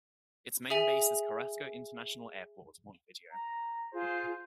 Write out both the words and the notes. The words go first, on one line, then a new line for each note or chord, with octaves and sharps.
Its main base is Carrasco International Airport, Montevideo.
G#4 E5 G#5 F#7
A#5
F4 G#4 C5